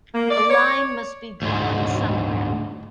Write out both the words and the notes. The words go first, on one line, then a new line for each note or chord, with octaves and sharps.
A line must be drawn somewhere.
A#3
D5
C#5
D2 G#2